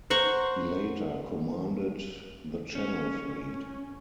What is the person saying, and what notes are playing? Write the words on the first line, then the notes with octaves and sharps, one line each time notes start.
He later commanded the Channel Fleet.
C5 F#5 A#5 C#6
C#4